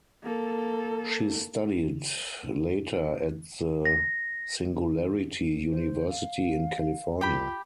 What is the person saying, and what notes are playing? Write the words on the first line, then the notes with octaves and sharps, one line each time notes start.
She studied later at the Singularity University in California.
A#3 A4
A#6
C5
F5
F4 G4 G5 B5